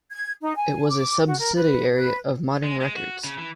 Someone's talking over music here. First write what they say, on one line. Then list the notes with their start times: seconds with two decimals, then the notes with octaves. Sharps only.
It was a subsidiary of Modern Records.
0.11 G#6
0.41 D#4
0.55 G#5
0.90 D6
1.26 F#4
1.39 A#4
1.56 B4
1.95 B4
2.64 G#3
2.80 G#3
2.96 F#4
3.24 C#3
3.38 E3